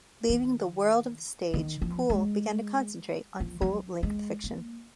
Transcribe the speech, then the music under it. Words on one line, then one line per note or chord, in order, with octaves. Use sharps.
Leaving the world of the stage, Poole began to concentrate on full length fiction.
D#3
D#3
F3
G#3
F3
F#3
G#3
A#3